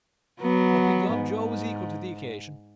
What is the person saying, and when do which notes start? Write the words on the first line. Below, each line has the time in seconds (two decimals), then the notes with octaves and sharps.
But, begob, Joe was equal to the occasion.
0.41 F#3 B3
1.13 G#2